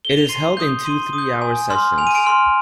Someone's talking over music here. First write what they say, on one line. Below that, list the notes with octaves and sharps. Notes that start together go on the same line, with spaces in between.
It is held in two three-hour sessions.
G7
F7
C6 C7 D#7
D#6 G6
C6 D#7 G7
D#6
G6
G#5
C6 F6
G#5 F7
D#7
D7 F7
C6 F6